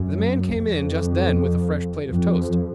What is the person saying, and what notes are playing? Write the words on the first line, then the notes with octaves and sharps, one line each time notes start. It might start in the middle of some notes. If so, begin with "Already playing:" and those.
The man came in just then with a fresh plate of toast.
Already playing: F#2
F2
F2